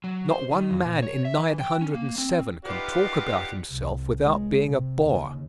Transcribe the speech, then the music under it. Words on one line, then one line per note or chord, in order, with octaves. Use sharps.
Not one man in nine hundred and seven can talk about himself without being a bore.
F#3
C5
D#3
F2
A#2
C#5
E5
E3
G5
C#4
A#3
C4
D#4 F4 G4 B4 D5 F#5
C2
G#3
C3
D#2 C#3